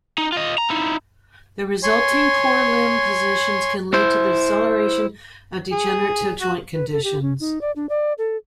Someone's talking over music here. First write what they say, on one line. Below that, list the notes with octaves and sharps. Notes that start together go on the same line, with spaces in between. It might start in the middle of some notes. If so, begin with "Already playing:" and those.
The resulting poor limb positions can lead to the acceleration of degenerative joint conditions.
D#4
F4 D#5
A#5
D#4 E4
C#5 G#5 C6
E4 C5
G#4
F#4
B4
A4
G4
C#4
D#4
D5
D4
D5
A4